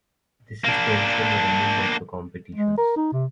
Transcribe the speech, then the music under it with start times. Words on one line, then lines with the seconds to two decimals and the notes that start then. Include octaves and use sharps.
This is to ensure the running of the competitions.
0.64 A#3 D4
2.55 G#3
2.78 A#4
2.96 D#4
3.12 C3